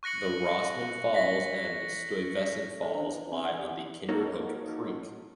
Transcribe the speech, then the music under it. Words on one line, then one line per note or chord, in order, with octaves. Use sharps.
The Rossman Falls and Stuyvesant Falls lie on the Kinderhook Creek.
C#6 F#6 A#6 C#7 F#7
A#6 B6
A4
D4
B4
C4
F#5
G4
A#3 D#4 F#4 A4 A#4 C#5